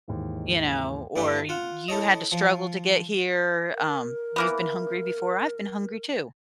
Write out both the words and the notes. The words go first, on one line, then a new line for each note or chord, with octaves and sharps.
you know, or "You had to struggle to get here," um, "You've been hungry before. I've been hungry too.
D#2 G#2 E3
G2 A3 D4 E4 G4
F4 F#5
E4 A4 C#5 D#5
F3
A#4
E3 A#3 B3